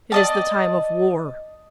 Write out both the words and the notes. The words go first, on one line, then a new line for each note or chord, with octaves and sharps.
It is the time of war.
D5 D#5 A5